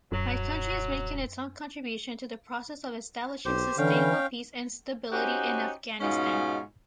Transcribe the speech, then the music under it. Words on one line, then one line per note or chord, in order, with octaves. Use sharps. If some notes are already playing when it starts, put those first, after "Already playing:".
My country is making its own contribution to the process of establishing sustainable peace and stability in Afghanistan.
D#1 F#2 F#3
B1 G4 C5
D3 E3 C#4 F5 G5
C#4 D#4 F#4 G4 C5
G#2 B2 C#4 D#4 F4